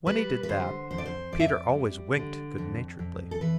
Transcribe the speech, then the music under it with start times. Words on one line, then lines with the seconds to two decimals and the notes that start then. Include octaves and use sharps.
When he did that, Peter always winked good-naturedly.
0.06 G3 B4
0.43 B4
0.48 D3 C5
0.91 F2 C5
0.98 D5
1.05 C5
1.32 F2 D5
1.40 E5
1.47 D5
1.74 G3
2.16 D3
2.58 F2
2.99 F2
3.31 A4
3.41 E3 B4